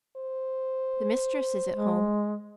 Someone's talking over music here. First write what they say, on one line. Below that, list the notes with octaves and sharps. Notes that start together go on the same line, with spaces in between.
The mistress is at home.
C5
G#3